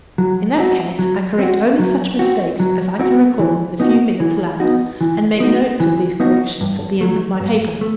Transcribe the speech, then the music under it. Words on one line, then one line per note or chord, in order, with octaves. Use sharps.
In that case I correct only such mistakes as I can recall in the few minutes allowed, and make notes of these corrections at the end of my paper.
F#3
C4 F#4
F#3
C4 F#4
F#3
C4 F#4
F#3
C4 F#4
E3
B3 D#4 F#4
E3
B3 D#4 F#4
E3
B3 D#4 F#4
E3
B3 D#4 F#4
G2
F#3 A3
G2
A3